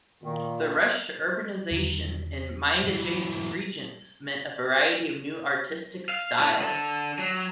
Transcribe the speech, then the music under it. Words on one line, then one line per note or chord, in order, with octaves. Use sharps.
The rush to urbanization in mine-adjacent regions meant a variety of new artistic styles.
A#2 D#3
E2 D3 D#3
E3 F#3
F5
A2
D3 A4
F#3